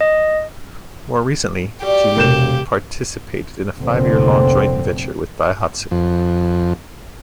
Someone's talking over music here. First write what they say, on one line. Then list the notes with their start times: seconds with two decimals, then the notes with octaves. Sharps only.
More recently, Jilin participated in a five-year-long joint venture with Daihatsu.
0.01 D#5
1.83 G3 D4 F#4 G4
2.17 E1 C3 E3 A#4 F5 G6 E7
3.80 F1 A#1 D3 C4
5.91 F2